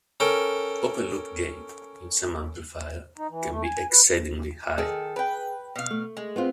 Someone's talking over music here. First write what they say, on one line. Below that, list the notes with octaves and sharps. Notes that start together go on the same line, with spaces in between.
Open loop gain, in some amplifiers, can be exceedingly high.
C#4 A4 A#4 G5
D#4
E3
A3
G#5
B4
D#3 G#4 A4
B4 G5
B2 F5
A3
G#3
B3 C4 F4